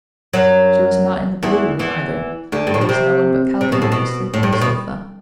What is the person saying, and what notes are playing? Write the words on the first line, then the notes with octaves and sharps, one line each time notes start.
She was not in the blue room either; there was no one but Kalganov asleep on the sofa.
F#2 F#3
E2 E3
E2 E3
D2 D3
G2
A2
B2
C3
C3
B2
A2
B2
A2
G2
A2
B2